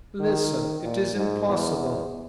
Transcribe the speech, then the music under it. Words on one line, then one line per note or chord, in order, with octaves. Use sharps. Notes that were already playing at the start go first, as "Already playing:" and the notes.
Listen--it is impossible!
D#3
A#2
G#2
E2